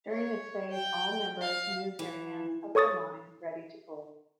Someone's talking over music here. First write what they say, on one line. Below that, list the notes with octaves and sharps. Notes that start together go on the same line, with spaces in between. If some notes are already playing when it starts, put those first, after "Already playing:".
During this phase all members move their hands up the line ready to pull.
C#5
G5
F5
E3
A4 C#5 C#6 D#6 A6